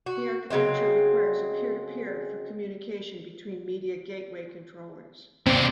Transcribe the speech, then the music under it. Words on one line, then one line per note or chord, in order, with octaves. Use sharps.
The architecture requires a Peer-to-Peer for communication between Media Gateway Controllers.
F#4
C#3 F#3 G#3 C4
D#2 C3 C4 D5